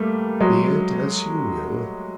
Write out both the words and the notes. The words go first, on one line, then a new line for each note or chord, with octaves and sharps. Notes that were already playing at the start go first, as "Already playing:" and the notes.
"Be it as you will."
Already playing: G3 A3 A#3
F#3 G#3